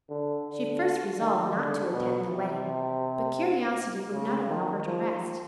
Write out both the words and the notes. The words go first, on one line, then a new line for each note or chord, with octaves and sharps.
She first resolved not to attend the wedding, but curiosity would not allow her to rest.
D3
D3
D#3
D3
B2
C3
C#3
D#3
F3